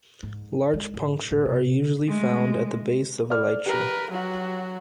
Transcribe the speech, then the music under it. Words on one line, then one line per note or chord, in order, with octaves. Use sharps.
Large puncture are usually found at the base of elytra.
G#2
G#3
G#2
A2
C3
G#3 A3
D5 F6
G4 A#4 B4
F#3 F#4